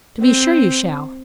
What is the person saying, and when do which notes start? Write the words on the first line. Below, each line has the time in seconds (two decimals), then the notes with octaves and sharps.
"To be sure you shall."
0.22 C4